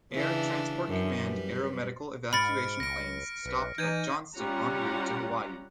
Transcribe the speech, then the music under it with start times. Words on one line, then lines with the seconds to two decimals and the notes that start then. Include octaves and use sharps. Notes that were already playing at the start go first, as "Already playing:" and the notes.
Air Transport Command aeromedical evacuation planes stopped at Johnston en route to Hawaii.
0.13 C#3 E3 D4
0.87 F#2
1.26 G3 B4
2.33 G#2 B5 F6 A6 C#7 D7
2.80 C#2 A#6 D7
3.45 B1 B4
3.78 E3 D#4 G6 G#6 D#7
4.37 G3 C#4 F4 F#5 A#5